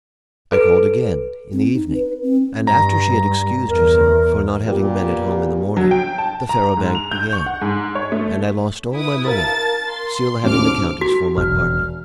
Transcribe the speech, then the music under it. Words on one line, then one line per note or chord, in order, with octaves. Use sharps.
I called again in the evening, and, after she had excused herself for not having been at home in the morning, the faro bank began, and I lost all my money, still having the countess for my partner.
A4 B4 D7
C4
D#4
B4
C4
G2 A#5
E2 A#4
A#2 B3 G4
F#3
G5
A5
A#5
G#2
F7
G6
C#6
F#5
G#2
C#5
A3
E4 B4 D#6
A#4 F5 A5 A6
C6
G#1 D#2 C#3 D6 F6
F#4
E1 F6